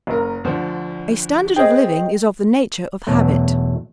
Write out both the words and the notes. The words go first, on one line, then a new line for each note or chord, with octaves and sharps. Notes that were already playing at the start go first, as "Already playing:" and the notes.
A standard of living is of the nature of habit.
F#1 A#4
D2 D3 F3
C4 G#4 D#5 G5
E2 B2 F#3 A3